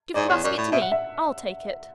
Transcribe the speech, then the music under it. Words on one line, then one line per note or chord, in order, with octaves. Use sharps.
'Give the basket to me,--I'll take it.'
G#2 D5
E2 C#5
F#2 D5
A2
B2 E5
F#5
E5